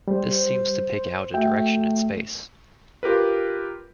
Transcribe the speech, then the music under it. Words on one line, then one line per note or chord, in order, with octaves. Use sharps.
This seems to pick out a direction in space.
G3 C5
A3 F#4 E5 G5
F4 G4 A#4 B4